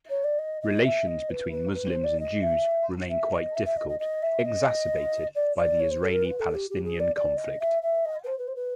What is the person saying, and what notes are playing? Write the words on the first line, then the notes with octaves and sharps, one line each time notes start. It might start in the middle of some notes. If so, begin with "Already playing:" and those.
Relations between Muslims and Jews remain quite difficult, exacerbated by the Israeli-Palestinian conflict.
C#5
D5
D#5
D#5
E5
D#5
B4
B4
B4
C5
D5
D#5
E5
E5
D#5
E5
E5
D#5
D#5
D#5
E5
D#5
D5
D5
C#5
C5
A4
A#4
B4
A4
G4
G4
G#4
D5
D5
D#5
E5
E5
D#5
B4
C5
B4
C5
B4